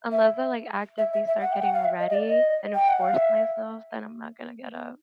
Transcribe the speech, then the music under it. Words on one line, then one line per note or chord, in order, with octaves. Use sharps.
unless I, like, actively start getting ready and force myself, then I'm not gonna get up.
E5
E5
E5
E5
F#5
G5
F#5
F5
E5
D#5
D#5
D5
D#5
G5
F#5
F5
E5